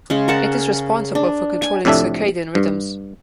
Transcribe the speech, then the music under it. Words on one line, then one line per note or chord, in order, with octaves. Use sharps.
It is responsible for controlling circadian rhythms.
C#3 G#3 C#4
A#4 C#5 F#5 A5
D4
G#5
F2 A2 C3 D4 A4 E5
G2